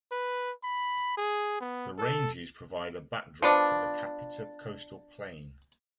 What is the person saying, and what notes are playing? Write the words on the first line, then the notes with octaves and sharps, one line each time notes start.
The ranges provide a back-drop for the Kapiti coastal plain.
B4
B5
G#4
B3
A4
F3 B3 D4